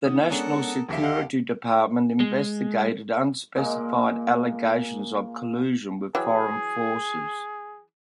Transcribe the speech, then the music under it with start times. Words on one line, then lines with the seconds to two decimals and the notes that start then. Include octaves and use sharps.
The national security department investigated unspecified allegations of collusion with foreign forces.
0.05 D#3 B3 D#6
0.29 G#3 C#4 D4 A4 A#4 F#5
0.89 D#2 C#3 F3 A#3 G4 E5
1.04 D#5 F5 F#5
2.20 G#3
3.56 A#2 G#3 A#3
6.15 E3 F#3 G#4 G5